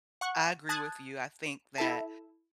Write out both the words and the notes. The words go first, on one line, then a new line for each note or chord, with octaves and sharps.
I agree with you, I think that
F#5 C#6 F#6
A5 D#6 F#6 G#6 A6
E4 A4 A5